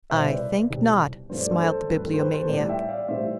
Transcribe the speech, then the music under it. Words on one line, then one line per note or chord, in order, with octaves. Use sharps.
"I think not," smiled the Bibliomaniac.
C2 B2 G3 C5 E5
B4 D5
C2 B2 G3
G2 F3 A3 C5
D5
A4 C5
G2 F3 A3 B4
A4
C5
B4
A4 C5
A2 E3 G3 B4 D5
E5 G5
D5 F5
A2 E3 G3 C5 E5